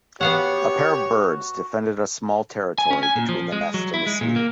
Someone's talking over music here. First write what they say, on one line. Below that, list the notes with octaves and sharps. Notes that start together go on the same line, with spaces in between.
A pair of birds defend a small territory between the nest and the sea.
B3 F#4 G4 C#5 F5 F#5
G#5
C#4
G#5
A#2
F3
G#3
F#3
E4
G#3
A#2
A#3